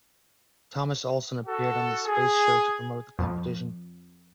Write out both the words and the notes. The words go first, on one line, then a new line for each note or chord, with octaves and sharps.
Thomas Olson appeared on The Space Show to promote the competition.
F#4 A4
G#4
F2